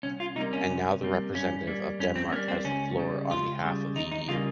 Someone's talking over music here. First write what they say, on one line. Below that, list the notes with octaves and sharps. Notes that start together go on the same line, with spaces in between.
And now the representative of Denmark has the floor on behalf of the EU.
C2 C#4
F4
C3 G3 A#3 D#4
C#4
C2
C3 G3 A#3
G2 C#4
G3 A#3
G2 C#4
C4
G3 A#3 C#4
C4
C#2 C#4
C#3 G3
C#2 F4
C#3 G3
D#2 D#4
D#4
C#3 G3 A#3 F4